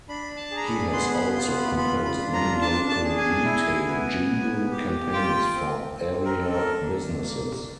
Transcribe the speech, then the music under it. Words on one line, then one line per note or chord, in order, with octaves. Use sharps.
He has also composed many local retail jingle campaigns for area businesses.
D4 B5
A5
G#4
A#5
B5
B3 C6
B5
F4 C6
B5
F4 B5
B5
D4
A#5
D4 A5
A5
G#4
G#5
E4
B3
B3
G4
F4 G5
C4
C4
A#4
A4
A#4
D4
A#3